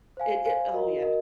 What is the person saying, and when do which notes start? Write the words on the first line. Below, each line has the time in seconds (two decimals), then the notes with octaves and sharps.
It it Oh, yeah.
0.17 C5 F5 G#5
0.45 C5 F5 G#5
0.74 F#4 A#4 D#5
1.02 A#4 D#5